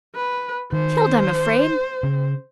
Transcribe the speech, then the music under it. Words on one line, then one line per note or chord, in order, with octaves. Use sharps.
Killed, I'm afraid!
B4
D#3 C5
C#3